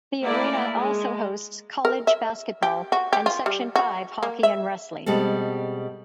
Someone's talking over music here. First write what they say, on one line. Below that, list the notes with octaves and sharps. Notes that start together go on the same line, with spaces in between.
The arena also hosts college basketball, and Section Five hockey and wrestling.
A3 A#3 E4 D5
G#3
A#4
E5
G4
F#4
G4
F4
G3
F#4
A#3
E5
B2 G3 G#3 C4 A4